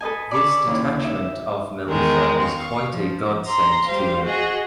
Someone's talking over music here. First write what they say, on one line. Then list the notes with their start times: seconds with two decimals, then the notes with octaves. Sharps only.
This detachment of militia is quite a godsend to me.
0.01 A4 B4 D#5 G#5
0.31 D5 B5 C#6 D6 E6
0.67 D#2 C#3 E4
1.00 D#4 E5
1.86 E2 D#3 G#3 A#4
2.41 F5 C#6
2.87 F3
3.46 A#5 C6
3.86 G3 C5 F5
4.22 F#4 G#4 D#5